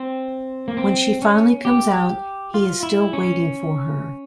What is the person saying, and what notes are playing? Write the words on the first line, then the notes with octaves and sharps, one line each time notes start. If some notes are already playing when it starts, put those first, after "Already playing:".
When she finally comes out, he is still waiting for her.
Already playing: C4
A#3
C4
C#4
G4
F4
E4
C#4